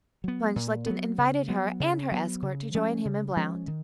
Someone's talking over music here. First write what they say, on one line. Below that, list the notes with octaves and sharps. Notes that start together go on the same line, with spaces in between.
Von Schlichten invited her and her escort to join him and Blount.
F#3 B3
A#2
F#3 B3
C#3
F#3 B3
C#3
F#3 B3
C#3
F3 G#3 C#4
C#3
F3 G#3 C#4
D#3